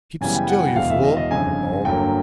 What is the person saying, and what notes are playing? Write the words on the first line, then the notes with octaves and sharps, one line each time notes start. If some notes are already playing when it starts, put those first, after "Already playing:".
"Keep still, you fool!" I bawled.
F#2 C#3 E3 G3 B3 G#5
G5
F#5
F#5
E1 E2 B2 G#3 B3 F5
E5
D#5
D#5
G1 F2 C#3 G#5
G1 G2 D3 F#3 A#3 G5